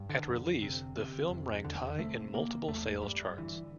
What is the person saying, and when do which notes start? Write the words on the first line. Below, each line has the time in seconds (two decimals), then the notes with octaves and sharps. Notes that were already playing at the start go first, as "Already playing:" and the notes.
At release, the film ranked high in multiple sales charts.
Already playing: G2
0.09 D3
0.27 F2
0.62 C3
0.96 C3
1.30 F2
1.65 E2 D3
1.99 C3 A3
2.34 C3 A#3
2.68 E2 A3
3.02 G2 G3
3.38 D3 E3